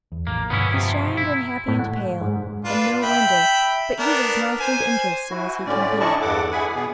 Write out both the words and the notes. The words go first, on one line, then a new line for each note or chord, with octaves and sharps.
"He's shy and unhappy and pale, and no wonder; but he's as nice and interesting as he can be."
E2
A1 F2 A#3
G2 B2 D3 B3 C#4 E4
C3 F3
E4
A2
F#5
G#2
D4 F4 B4
E5 G5 B5
B3 D4 A#4
C5 G#5
E4 F#4
A2 D3 A3 C#4 D5
D4 E4 D5 D#5 A5 C#6
E2 G2 A4 F#5 D6
E4 G#4 F#5 G#5 B5
B2 B3 G#4